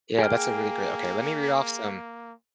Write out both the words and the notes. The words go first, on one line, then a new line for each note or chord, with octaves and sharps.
Yeah. That's a really great okay, let me read off some
A#3 G#4 G5 F6